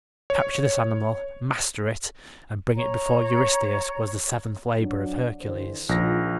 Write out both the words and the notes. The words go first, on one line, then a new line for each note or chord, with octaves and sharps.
To capture this animal, master it, and bring it before Eurystheus, was the seventh labor of Hercules.
C#5
C#5 A#5
F#3 D4
D3 E3 C5
A#1 D#3 F4 A#6